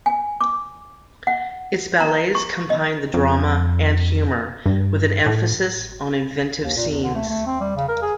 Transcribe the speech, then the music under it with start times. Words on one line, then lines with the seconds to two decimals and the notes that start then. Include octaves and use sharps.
Its ballets combined the drama and humor, with an emphasis on inventive scenes.
0.06 G#5
0.41 D6
1.27 F#5
2.00 A#5
2.35 C#6
2.70 D#5
3.14 F2
4.66 G2
5.26 A2
6.63 D#2
6.76 A#2
6.89 E2
7.03 D3
7.15 A3
7.29 A3
7.47 C4
7.61 G3
7.76 C#3
7.89 A#4
8.02 G#4